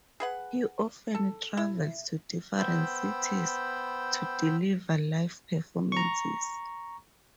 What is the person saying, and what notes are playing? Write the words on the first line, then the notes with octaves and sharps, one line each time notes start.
He often travels to different cities to deliver live performances.
G#4 B4 F#5
A4
E4
B3 C5 G5 B5 E6
A#5 C#6